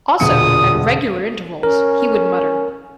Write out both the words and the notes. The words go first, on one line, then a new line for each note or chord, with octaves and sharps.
Also, at regular intervals, he would mutter.
E1 D2 A#2 D#6 C#7
C#4 A#4